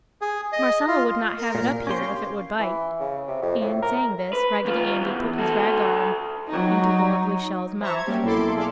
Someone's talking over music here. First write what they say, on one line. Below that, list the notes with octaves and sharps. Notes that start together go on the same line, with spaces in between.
"Marcella would not have it up here if it would bite!" And, saying this, Raggedy Andy put his rag arm into the lovely shell's mouth.
G#4
D#5
F4
A#4
A#2
C#4 G4 A#4 C6
F5
E3
C#3
C3
F2
A2
A#4
B4
D#2 F4
E2
F#4 A4
F#3 D#4
C5 E5 A5 A#5 C#6
G#6
F#3 G3 A#3 C#4 G4
B1 A#3 E4 A4 C6 D6
E4 G#4 A4 D5 F5